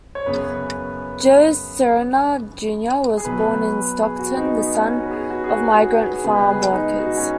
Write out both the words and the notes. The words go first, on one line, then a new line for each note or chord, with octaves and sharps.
Joe Serna, Junior was born in Stockton, the son of migrant farm workers.
C#5
F#2 C#3 B3 B4
G#4
B2 F#3 B3 B4
G#4
F#4
D#4
B3
C#4
F#4
B4
G#4
F#4
G#4
F#4
F#4
B4
G#4
C#3 G#3 B3 B4
G#4
D#4
F#4
C#4